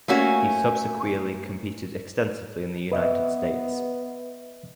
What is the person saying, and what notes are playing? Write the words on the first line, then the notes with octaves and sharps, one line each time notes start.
He subsequeerly competed extensively in the United States.
A3 A#3 C#4 F#4
B3 B4 D#5 E5